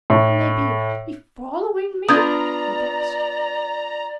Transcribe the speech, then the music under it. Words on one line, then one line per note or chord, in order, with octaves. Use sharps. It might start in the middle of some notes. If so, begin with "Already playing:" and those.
"Can they be--be following me?" he gasped.
A2
B3 D4 F4 D5 A#5 D#6 G6 G#6